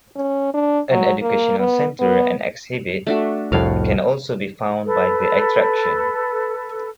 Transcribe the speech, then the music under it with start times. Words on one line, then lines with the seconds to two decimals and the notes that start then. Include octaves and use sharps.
An educational centre and exhibit can also be found by the attraction.
0.15 C#4
0.54 D4
0.91 F#3
1.21 A#3
1.59 B3
2.00 B3
3.07 A3 D4 F#4
3.52 C2 F2 A2 F#4 F5
4.84 A4 B4